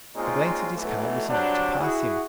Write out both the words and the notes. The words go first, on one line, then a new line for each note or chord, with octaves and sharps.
A glance at his card was enough to pass him.
A#2 G#3 C4 C#4 D#4 F4
B1 E3 F#3 A3
F#3 G3 C4 D4
E4 F#4 G#4